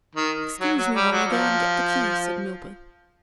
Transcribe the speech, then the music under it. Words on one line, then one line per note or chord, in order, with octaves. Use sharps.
"Excuse me while I go and get the key," said Milburgh.
D#3
F#3
F#3
G3
F#3
F3